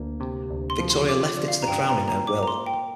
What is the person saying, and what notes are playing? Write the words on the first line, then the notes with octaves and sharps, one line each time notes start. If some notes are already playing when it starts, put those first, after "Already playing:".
Victoria left it to the Crown in her will.
Already playing: D2 A#3
C3
D2
C6
F3
C6
F4 D6
D3 D5
F5
A#5
G2 G5
G5
A#5
A#3
A#5
A#2 D6
A#5
C6
A#3
G5